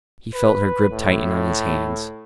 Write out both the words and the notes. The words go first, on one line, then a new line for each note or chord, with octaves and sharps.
He felt her grip tighten on his hands.
B4
A2